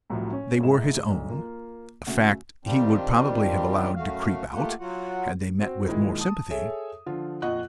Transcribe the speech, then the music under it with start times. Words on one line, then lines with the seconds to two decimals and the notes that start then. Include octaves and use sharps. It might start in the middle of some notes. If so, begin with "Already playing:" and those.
They were his own, a fact he would probably have allowed to creep out, had they met with more sympathy.
0.10 C2 A2 C3 F3 F#3 A3
0.33 C#4
0.63 G#2 E4 G#4 E7
1.08 B1 G2
1.29 A#3 F4
2.07 C#3 A3 F#4
2.65 D#3 G3 C4 D4 F4 G4
3.96 F#2 A3 F#4 F5
4.53 A3 A#3 F4 G4 F#5
4.80 F#3 F4 F#4 F#5
5.61 C4 F#4
5.88 A#2 D#3 G#3 E4
6.19 A5 D#6
6.50 G#4 A4 C#5 E5
7.06 D3 F3 F4
7.42 F2 A#2 D#5 F#5 C#6 F#6